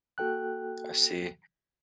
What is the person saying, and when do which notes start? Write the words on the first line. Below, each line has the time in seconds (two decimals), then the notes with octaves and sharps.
I see.
0.18 A#3 F#4 A4 G5 F#6